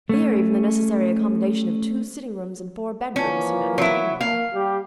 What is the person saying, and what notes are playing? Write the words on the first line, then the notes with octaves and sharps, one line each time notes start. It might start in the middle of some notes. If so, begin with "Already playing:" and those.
Here, even the necessary accommodation of two sitting-rooms and four bed-rooms seemed unattainable.
A3 C#4
E3 F3 A#3 C#4
F#3 E4
A#3 F5
G3 G4